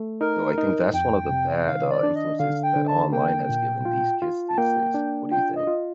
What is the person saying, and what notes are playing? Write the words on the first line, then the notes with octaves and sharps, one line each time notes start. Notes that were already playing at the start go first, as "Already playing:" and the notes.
So, I think that's one of the bad, uh, influences that online has given these kids these days. What do you think?
Already playing: A3
D#4 A#4
D#4
F2 G5
C3
D#3 F5
D5
D4
D#5
D3 F5
G5
D3
A5
A#3 G5
A#2
F4
F4
A5
A#3 G5
D4
F4 G5
D#5
F4